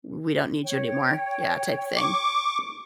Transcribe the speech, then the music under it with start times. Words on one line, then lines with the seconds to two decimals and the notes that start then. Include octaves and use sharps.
"We don't need you anymore," yeah, type thing.
0.64 C#5 G5
1.96 C#6 D6